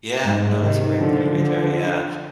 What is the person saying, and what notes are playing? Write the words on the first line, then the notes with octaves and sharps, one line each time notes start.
Yeah. No, that's a great point right there, yeah.
G#2
C3 D#3
D3 F3
D3 F3